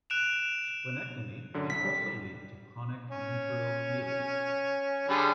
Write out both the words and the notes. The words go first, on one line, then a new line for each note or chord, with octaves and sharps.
Splenectomy may also lead to chronic neutrophilia.
F#6 D7 E7 F7
F#2 D3
C2 B6
G3
C#4
D3 G3 G#4